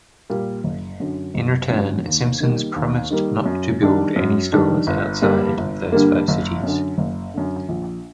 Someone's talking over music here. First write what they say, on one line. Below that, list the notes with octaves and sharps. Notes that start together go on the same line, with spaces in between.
In return, Simpson's promised not to build any stores outside of those five cities.
A#2 G3 A#3
F#1
F#2 D3
F#1
F#2 D3
D#2
D#3 G3 A#3
D#2
D#3 G3 A#3
F#2
D#3 G3 D4
F#2
D#3 G3 D4
G1
G2 D3 G3 A#3
G1
G2 D3 G3 A#3
F#1
F#2 D3
F#1
F#2 D3
A#1